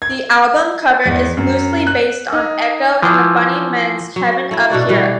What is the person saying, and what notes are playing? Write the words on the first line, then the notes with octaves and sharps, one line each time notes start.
The album cover is loosely based on Echo and the Bunnymen's "Heaven Up Here".
G#6
E2
F#2
F#6
D#4
E3 F3
F#3
A3 E4
B2 D4 F#4 D5
B2 E3 G3